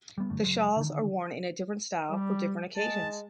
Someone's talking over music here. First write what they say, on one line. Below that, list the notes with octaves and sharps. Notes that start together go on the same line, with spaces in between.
The shawls are worn in a different style for different occasions.
G3 B3
G1 F#2 D3 A3
F#1 F#3 G#3
D3 D#3
G3
G#3 A5